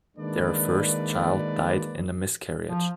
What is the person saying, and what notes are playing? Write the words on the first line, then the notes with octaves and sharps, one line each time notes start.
Their first child died in a miscarriage.
D#3 G#3 A#3 D4 B4 D5
F3